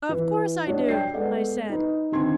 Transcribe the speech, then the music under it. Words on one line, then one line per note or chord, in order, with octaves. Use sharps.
"Of course I do," I said.
E3
G3 D4 F#4 C#5 D#5
D5 G5 G6 C7
G#3 B3 A4 D5 F#5
D#4 B4
D3 D#3 C4 C6 G#6